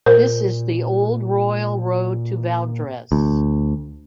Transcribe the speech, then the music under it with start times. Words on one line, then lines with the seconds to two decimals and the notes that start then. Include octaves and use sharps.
This is the old royal road to Valdres.
0.06 A#2 A#4 C5
3.12 D2